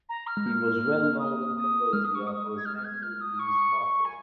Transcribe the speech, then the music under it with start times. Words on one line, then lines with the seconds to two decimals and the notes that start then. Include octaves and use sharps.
He was well known in Cambodia for his annual peace marches.
0.09 A#5
0.27 F6
0.37 G#3
0.46 A#3
1.19 D#6
1.56 D#6
1.93 G#3 F6
2.04 D#6
2.15 C#6
2.27 D#6
2.58 G#6
2.66 F6
2.77 F6
2.85 G#6
3.03 F6
3.21 D#6
3.39 C#6
4.05 G#5